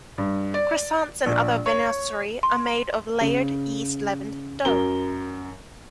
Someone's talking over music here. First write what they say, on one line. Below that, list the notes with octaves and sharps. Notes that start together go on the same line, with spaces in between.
Croissants and other viennoiserie are made of a layered yeast-leavened dough.
G2
D5
A#1
C#5
C6
C#3
F#2 A#4 G7